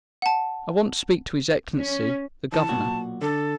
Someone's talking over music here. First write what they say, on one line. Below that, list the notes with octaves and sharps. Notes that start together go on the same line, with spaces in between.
"I want to speak to his Excellency, the governor."
F#5 A5
C#4
E3 A5
B1 A#2 F#4
D3 A4